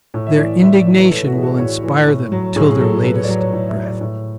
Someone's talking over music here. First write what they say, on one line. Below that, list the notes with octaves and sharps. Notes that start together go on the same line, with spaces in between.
Their indignation will inspire them till their latest breath.
A2
E5
E3 D5
A2 E5
D5
E3 C#5
B4
A2 A4
F#4
E3 G#4
F#4
A2 C#5
E3
A2
F#3
A2 G#4
G#4
F#3 A4
A2 B4
C#5
D5
F#3 C#5
C#5
A2 D5
E5
F#3
D5
A2